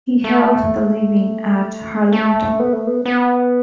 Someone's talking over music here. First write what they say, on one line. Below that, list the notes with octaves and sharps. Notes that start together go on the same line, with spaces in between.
He held the living at Harlington.
A3
A3
B3
A3
B3
B3